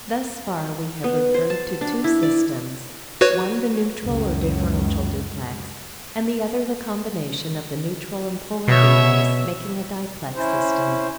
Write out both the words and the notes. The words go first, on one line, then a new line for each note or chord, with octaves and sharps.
Thus far we have referred to two systems, one the neutral or differential duplex, and the other the combination of the neutral and polar relays, making a diplex system.
B3
C5
A5
D4
E4
D5
F#4 B4 C#5
C#2 F#2
B2 C#5 E5
C#4 E4 C5